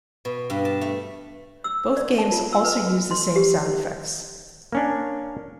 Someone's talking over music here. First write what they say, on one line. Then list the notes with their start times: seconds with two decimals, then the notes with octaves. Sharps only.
Both games also use the same sound effects.
0.25 B2
0.50 G2
0.65 A5
0.81 A3
1.64 E6
1.97 D5
2.18 A5
2.32 F4
2.53 E6
2.65 B4
3.11 C6
3.36 G4
4.72 A#3 C#4 D4